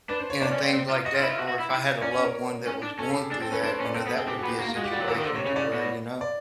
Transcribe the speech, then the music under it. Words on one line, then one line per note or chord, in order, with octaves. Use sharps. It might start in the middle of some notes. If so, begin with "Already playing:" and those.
and, things like that. Or if I had a loved one that was going through that, you know, that would be a situation to where, you know,
D4 B4
C5
C#5
D4 D5
C#4
C4
C4
F4
F#4 D#5
F4
E4 E5
F4
F#4
F#4
E4
E4
C#4 D5
C#5
A#4
C#4
D4
C#4 A4
G#4
G4
D4 G#4
C4 A4
C#4 B4
D4 C5
C#5
C#4
D5
C4 A4
B3 A4
C4 G#4
C4 G4
F#4
B3
G4
A#3 F#4
F4
G#3 F#4
G4
G3 F#4
F#3
E3 A#4
D#3
D3 C5
C3 C#5
C#3 C#5
C#3 D5
B2
D5